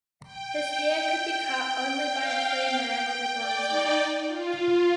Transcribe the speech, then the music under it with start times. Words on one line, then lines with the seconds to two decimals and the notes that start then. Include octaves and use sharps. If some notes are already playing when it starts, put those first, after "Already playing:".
His hair could be cut only by a free man with a bronze knife.
0.23 G5
2.10 F5
2.40 F5
2.71 G5
3.33 D5
3.65 D#4
4.27 F4
4.57 F4